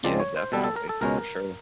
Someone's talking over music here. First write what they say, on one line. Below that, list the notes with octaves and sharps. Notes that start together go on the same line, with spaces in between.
Yeah, definitely, for sure.
C#2 C#3 F3 G#3 C4 D5
C#5
C5
B2 G3 B3 A4
A4
A#4
A4
C#2 B2 G#3 C#4 A#4